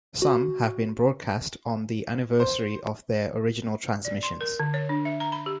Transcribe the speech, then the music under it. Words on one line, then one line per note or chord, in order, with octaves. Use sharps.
Some have been broadcast on the anniversary of their original transmissions.
F#4
C5
D5
C6
A#4
D3
C#5
D4
E5
A#5
B5
G4